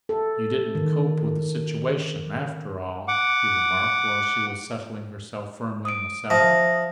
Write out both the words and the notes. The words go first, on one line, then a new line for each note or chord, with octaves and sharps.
"You didn't 'cope with the situation,' after all," he remarked while she was settling herself firmly in the saddle.
A4
D#3
F#5 D6
D#6 D7
F3 E5 D#6 A#6